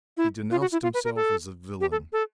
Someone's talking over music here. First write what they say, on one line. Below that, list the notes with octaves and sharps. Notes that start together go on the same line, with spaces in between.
He denounced himself as a villain.
E4
F4
F#4
E4
F4
B4
A#4
A4
G4
A4
A4